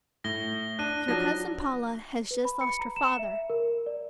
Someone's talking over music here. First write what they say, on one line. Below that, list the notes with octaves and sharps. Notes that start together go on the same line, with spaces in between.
Your cousin Paula has just lost her father.
A2 A#6 G7
D4 F#6 D#7
F3 F#3 D4 A#6
B4
B5
C#7
A#5
E7
E5
A#4
D5